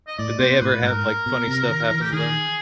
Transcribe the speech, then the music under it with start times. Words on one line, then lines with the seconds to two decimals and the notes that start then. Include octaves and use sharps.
Did they ever have, like, funny stuff happen to them?
0.07 D#5
0.18 A2 D5
0.39 B2 C5
0.51 C5
0.61 A2 B4
0.82 G#2 A#4
1.26 B2
1.47 C3
1.69 D#3
1.90 E3
2.01 G4
2.12 D#3 G#4